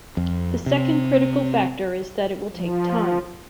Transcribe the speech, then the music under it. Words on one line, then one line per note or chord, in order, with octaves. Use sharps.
The second critical factor is that it will take time.
F2
C3
F3